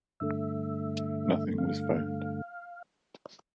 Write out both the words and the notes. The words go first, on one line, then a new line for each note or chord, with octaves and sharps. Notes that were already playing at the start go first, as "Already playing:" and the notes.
Nothing was found.
G2 D3 A3 E5
F5